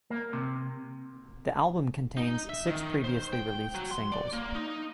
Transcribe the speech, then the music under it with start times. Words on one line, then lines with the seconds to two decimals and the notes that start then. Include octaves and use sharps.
The album contains six previously released singles.
0.10 A#3
0.33 C3
2.17 D#4
2.49 E5
2.67 D#3
3.04 C5
3.33 G5
3.75 F#3
3.91 C6
4.12 D5
4.33 A#3
4.55 D#4